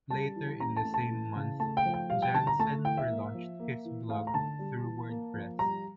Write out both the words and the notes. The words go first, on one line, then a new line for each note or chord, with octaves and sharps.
Later in the same month, Jansen re-launched his blog through WordPress.
G3 A5
E3
C#4 A#5
A5
A3
A5
E3
C#3
A3 A5
G5
F3
G5
G3 F5
G5
D3 A5
A#5
A3 A5
E3 G5
E5
A#3
F3
A#3
E3
A3 F5
A#5
D3 A5
G3
E3
A#3
F3
G3 A#5